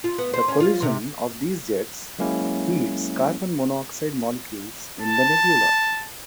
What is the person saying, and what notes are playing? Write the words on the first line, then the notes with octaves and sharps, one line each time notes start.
The collision of these jets heats carbon monoxide molecules in the nebula.
F4
B3
C5
C#4
F4
C3
F#3 G#3 A#3 C#4 E4
A5